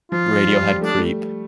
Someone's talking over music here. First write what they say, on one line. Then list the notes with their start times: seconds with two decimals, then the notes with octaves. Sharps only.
Radiohead Creep
0.12 F3 F4
0.48 G3
0.60 F3
0.72 G3
0.81 A3 D4
0.90 G3
0.98 A3